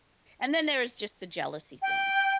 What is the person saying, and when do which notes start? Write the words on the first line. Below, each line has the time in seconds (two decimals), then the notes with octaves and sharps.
and then there is just the jealousy thing.
1.82 G5